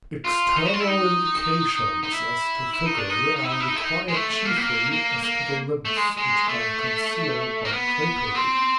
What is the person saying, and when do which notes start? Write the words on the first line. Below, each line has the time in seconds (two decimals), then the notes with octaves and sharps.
External indications as to figure are required chiefly as to the limbs which are concealed by drapery.
0.25 F4
0.56 D#4
0.66 F#4
0.74 F4
0.80 E4
0.87 D#4
2.03 D#4
2.12 E4
2.74 E4
2.86 D#4
2.98 D4
3.10 D#4
3.36 D#4
3.44 E4
3.52 D#4
3.60 E4
3.68 D#4
3.76 E4
3.83 D#4
4.08 G#3
4.14 A3
4.30 A3
4.45 A#3
4.56 B3
4.61 A#3
4.92 A#3
5.23 A#3
5.85 A3
5.96 G#3
6.17 G#3
6.48 A3
7.65 A#3
7.73 B3
8.35 C4